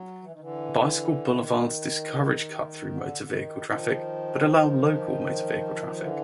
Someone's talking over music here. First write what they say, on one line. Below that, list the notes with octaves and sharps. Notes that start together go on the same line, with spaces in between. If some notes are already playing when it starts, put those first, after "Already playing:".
Bicycle boulevards discourage cut-through motor-vehicle traffic but allow local motor-vehicle traffic.
Already playing: F#3
E3
D#3
D3 E3
D#3
D3
D3
D#3
D#3 F3
D3 E3